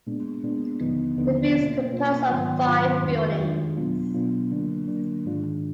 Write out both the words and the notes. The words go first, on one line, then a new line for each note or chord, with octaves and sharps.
The V is composed of five buildings.
A#2 G#3 B3 D4
A#2 G#3 B3 D4
D#2 D3 F3 B3 D#4
D#2 D3 F3 B3 D#4
B2 A#3 F4
B2 A#3 F4
G#2 D#3 F#3 B3 F4
G#2 D#3 F#3 B3 F4
F2 D#3 G#3 D4 F4
F2 D#3 G#3 D4 F4
B2 F#3 B3 D4 F4
B2 F#3 B3 D4 F4
D3 F#3 A#3 D4
D3 F#3 A#3 D4
G#2 D#3 G#3 D4 F4